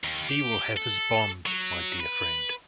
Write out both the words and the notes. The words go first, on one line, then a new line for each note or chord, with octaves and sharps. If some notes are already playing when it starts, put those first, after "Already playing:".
He will have his bond, my dear friend.
D#2
G4
A4
F#3
B4